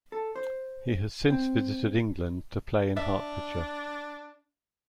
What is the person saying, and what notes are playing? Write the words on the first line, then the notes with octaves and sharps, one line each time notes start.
He has since visited England to play in Hertfordshire.
A4
C5
C4
D4 E5